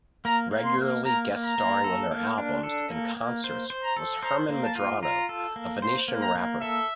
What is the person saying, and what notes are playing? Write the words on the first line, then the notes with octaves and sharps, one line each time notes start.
Regularly guest-starring on their albums and concerts was Herman Medrano, a Venetian rapper.
A#3 A#5
A#3
C6
A#3
A#3 A#5
A#3
A#5
A#3
A4
A#3
D4
A4
A#3
A#3
C5
C5
A#5
A4
C5 A#5
A#3
A5
F4
F4 A#5
A4
A#3
C5 C6
A#3
A#5
A#3
A4 E5